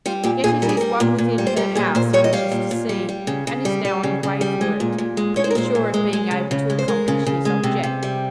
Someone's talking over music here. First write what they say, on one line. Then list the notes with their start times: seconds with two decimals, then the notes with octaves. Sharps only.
Yet it is one within her house he wishes to see, and is now on the way for it, pretty sure of being able to accomplish his object.
0.06 G3 F4
0.24 A#2 G4
0.44 A#2 G#4
0.62 G3 A#4
0.69 G#4
0.77 G3 A#4
1.00 A#2
1.18 A#2
1.38 G3
1.47 C5
1.56 G3 A#4
1.75 A#2 G#4
1.95 A#2 C5
2.13 G3 C#5
2.24 D#5
2.33 G3 F5
2.52 A#2
2.71 A#2
2.89 G3
3.09 G3
3.27 C#3
3.47 C#3
3.65 G3
3.85 G3
4.03 C#3
4.23 C#3
4.41 G3
4.61 G#3
4.80 A#2
4.98 A#2
5.17 G#3
5.36 G#3 C#5
5.44 C5
5.50 A#4
5.55 A#2 C5
5.75 A#2
5.94 G#3
6.13 G#3
6.31 C#3
6.51 C#3
6.70 G#3
6.79 C5
6.88 G#3 A#4
7.08 C#3
7.26 C#3
7.45 G#3
7.63 C3
7.84 C3
8.03 G3